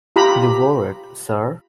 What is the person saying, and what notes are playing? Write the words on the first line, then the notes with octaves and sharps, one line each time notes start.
You wore it, sir?
F4 G4 A#5 B5